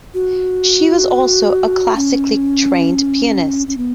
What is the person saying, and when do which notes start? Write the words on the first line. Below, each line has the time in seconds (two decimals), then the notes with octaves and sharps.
She was also a classically trained pianist.
0.14 F#4
1.96 C#4
3.68 C#4
3.77 B3